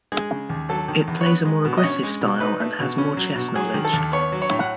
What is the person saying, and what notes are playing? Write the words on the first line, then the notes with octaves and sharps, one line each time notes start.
It plays a more aggressive style and has more chess knowledge.
G#3 G#4
C#3
D#2
F#3 A4
D#3
E2
C#5
B3 B4
G#3
B2
D#5
C#4 C#5
G#3
B2
D#4 B4
A3
B2
C#4
F#3
B2
F#3 G#4
D#3
A4
D#2
B3 C#5
F#3
C#5
A2
F#5